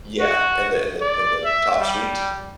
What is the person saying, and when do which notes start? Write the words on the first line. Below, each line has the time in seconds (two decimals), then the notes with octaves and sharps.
Yeah, in the in the in the top suite,
0.20 F#4
1.01 D5
1.45 E5
1.80 G3